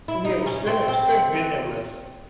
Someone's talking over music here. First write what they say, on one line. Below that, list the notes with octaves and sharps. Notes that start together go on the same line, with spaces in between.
Yeah, but Steph Steph been there less.
E4
D#4
C#4
C4
C4